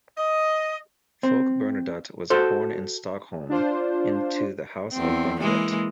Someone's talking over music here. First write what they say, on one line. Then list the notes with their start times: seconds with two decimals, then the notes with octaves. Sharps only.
Folke Bernadotte was born in Stockholm into the House of Bernadotte.
0.18 D#5
1.23 C4
2.30 F#4 A4 C5
3.49 D4 F4 C5
4.92 E2 C4
5.40 E3 G#3 A#3